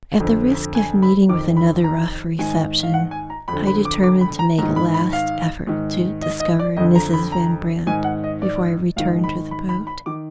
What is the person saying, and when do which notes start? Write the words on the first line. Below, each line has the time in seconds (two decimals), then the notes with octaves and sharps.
At the risk of meeting with another rough reception, I determined to make a last effort to discover Mrs. Van Brandt before I returned to the boat.
0.20 F2 D3
0.75 G#5
1.02 B5
1.29 F2 D#3 D6
1.57 B5
1.84 A#5
2.38 G#2 D#3 G#5
2.83 F5
2.94 F#5
3.11 G#5
3.30 A#5
3.48 F2 B5
3.53 D3
3.67 B5
3.85 D6
4.04 D6
4.21 B5
4.39 A#5
4.58 G#2 A#5
4.63 D#3
4.76 B5
4.94 B5
5.13 F5
5.67 G#2 D#3
6.22 D#5
6.40 D#5
6.59 D5
6.77 F2 D3 D#5
6.95 A#5
7.14 B5
7.32 A#5
7.87 G#2 D#3 G#5
8.04 F#5
8.24 D#5
8.42 D5
8.96 G#2 D#3 F5
9.24 B5
9.51 B5
9.69 B5
9.87 B5
10.06 D#3 D6